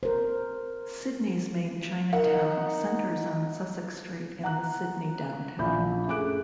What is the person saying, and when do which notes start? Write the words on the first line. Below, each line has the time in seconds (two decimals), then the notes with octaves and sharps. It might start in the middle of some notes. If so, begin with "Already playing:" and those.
Sydney's main Chinatown centers on Sussex Street in the Sydney downtown.
0.03 A#4 C5
2.13 D#4 A#4 F#5
4.43 F#5 A#5 F#6
5.59 A#1 E4 B5 G6
6.07 F#2 A3 G#4 D6 F#6 D7